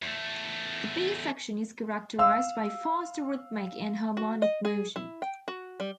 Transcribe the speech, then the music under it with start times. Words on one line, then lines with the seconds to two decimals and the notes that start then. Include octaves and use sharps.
The B section is characterized by faster rhythmic and harmonic motion.
0.02 E2 A3
2.19 F5 E6
4.17 F#4
4.42 D#5
4.65 G#4
4.96 E4
5.22 G5
5.48 F#4
5.80 G3